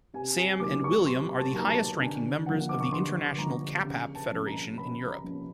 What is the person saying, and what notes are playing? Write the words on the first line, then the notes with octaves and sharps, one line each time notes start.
Sam and William are the highest-ranking members of the International Kapap Federation in Europe.
C3 G#5
G#5
D#3 F#3 A#3 D6
C#6
C3 C6
A5
D#3 F#3 A#3
A#5
A5
D3 G#5
F3 A#3 D4 F#5
D6
C#6
D3 C6
F3 A#3 D4 A#5
C#3
A5
F3 A#3 C#4
A#5
C#3 B5
A#5
F3 A#3 C#4